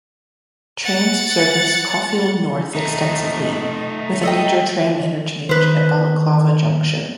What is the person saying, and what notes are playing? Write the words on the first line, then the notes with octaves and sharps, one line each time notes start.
Trams service Caulfield North extensively, with a major tram interchange at Balaclava Junction.
F#5 A6
A3 D#4
A4 D#5 G5
D#3 B4 C5